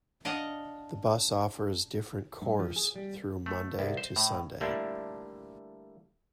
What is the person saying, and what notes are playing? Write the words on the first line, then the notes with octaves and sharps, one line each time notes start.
The bus offers different course through Monday to Sunday.
D4 D#5 F5 F#5
G2
F3
G#4
G3
A3
C2
C5
A2
D3 G3 A3 A#3 D4 E4